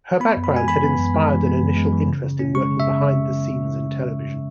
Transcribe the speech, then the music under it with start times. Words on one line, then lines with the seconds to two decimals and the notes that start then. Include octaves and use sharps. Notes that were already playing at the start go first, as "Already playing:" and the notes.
Her background had inspired an initial interest in working behind the scenes in television.
0.20 B3 B5
0.37 F#2
0.44 B5
0.52 G#3 G#5
0.68 E3 B5
0.84 B3
0.99 F#2
1.14 G#3
1.31 E3
1.46 B3
1.62 F#2
1.77 G#3
1.92 E3
2.08 C#3
2.24 C#3
2.39 C#4
2.55 G#3 C#6
2.71 C#3
2.80 E5
2.87 C#3